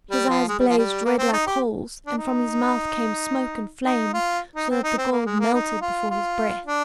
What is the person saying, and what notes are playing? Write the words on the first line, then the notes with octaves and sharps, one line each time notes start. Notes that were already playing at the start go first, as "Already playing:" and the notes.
His eyes blazed red like coals, and from his mouth came smoke and flame so that the gold melted before his breath.
G3
F3
G#3
G3
F3
G3
A#3
C4
D#4
G4
D4
D#4
D#4
F4
D#4
C4
D#4
C4
A#3
G#3
A#3
D#4
F4
F4
D4